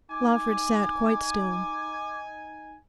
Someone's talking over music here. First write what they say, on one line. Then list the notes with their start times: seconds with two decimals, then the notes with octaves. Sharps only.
Lawford sat quite still.
0.10 D#4 G#5 D6